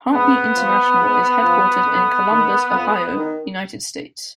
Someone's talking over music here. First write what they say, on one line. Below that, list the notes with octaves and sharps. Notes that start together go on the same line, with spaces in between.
Heartbeat International is headquartered in Columbus, Ohio, United States.
G#2 B3
F3
G#2
F3
F2
D#3
F2
D#3